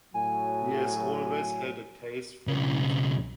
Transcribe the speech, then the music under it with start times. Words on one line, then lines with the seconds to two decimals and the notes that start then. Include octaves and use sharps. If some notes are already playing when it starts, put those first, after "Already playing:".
He has always had a taste for music.
0.14 A2 F#3 G#5
2.47 B1 C#3